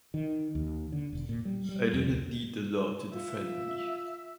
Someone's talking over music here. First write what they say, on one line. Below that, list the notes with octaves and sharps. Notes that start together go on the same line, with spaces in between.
I do not need the law to defend me.
D#3
D#2
D3
E1
A#2
G3
G3
F2
D2
F4 E5